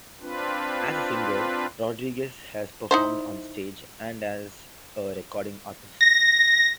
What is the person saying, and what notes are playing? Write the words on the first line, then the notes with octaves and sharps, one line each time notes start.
As a singer, Rodriguez has performed on stage and as a recording artist.
C4 D4 F4 B4
D#4 E4 C5
A#6